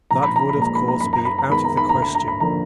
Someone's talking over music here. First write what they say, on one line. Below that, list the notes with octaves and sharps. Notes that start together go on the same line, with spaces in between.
That would, of course, be out of the question.
A#1 A#5
B5
A#5
B5
A#2 G#3 A#5
B5
A#5
F#2 B5
A#5
B5
A#5
D#3 G#3 B3 B5
A#5
B5
A#5
D2
B5
A#5
B5
D3 F3 A#3 A#5